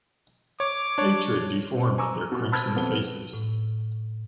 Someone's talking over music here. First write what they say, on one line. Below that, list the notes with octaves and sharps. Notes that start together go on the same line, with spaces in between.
Hatred deformed their crimson faces.
C#5 D6
D4 C#5
C4
G#5 A#5 C#6 D6 E6
B2
A5 B5 E6 F6 G#6
F2 B3 A4 G7
A2